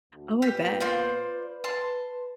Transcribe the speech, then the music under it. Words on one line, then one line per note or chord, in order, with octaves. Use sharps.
Oh, I bet.
D2
A#2 B3 G4 B4
F4 C5 D5
B4
A5 C6